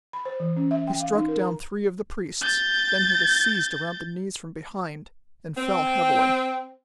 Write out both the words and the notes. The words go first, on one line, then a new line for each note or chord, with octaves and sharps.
He struck down three of the priests; then he was seized around the knees from behind, and fell heavily.
B5
C5
E3
C#4
E5
G5
F5
D#4
A#4
A#5
G6 A6
C4